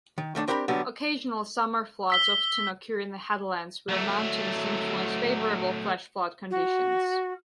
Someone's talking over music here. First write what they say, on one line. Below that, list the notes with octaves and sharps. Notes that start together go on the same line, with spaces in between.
Occasional summer floods often occur in the headlands, where mountains influence favorable flash-flood conditions.
D#3
D#3 A3 A#3 D4
C4 D4 G4 A#4 A#5 B5
D3 F#3 G3 B3 D4
E6 B6 G7
F#3 A3
F#4